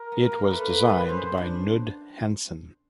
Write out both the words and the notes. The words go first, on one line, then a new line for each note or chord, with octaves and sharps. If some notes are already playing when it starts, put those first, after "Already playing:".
It was designed by Knud Hansen.
Already playing: A#4
B3
A#3
A3 B4
A#3
B3
C#4 C5
D4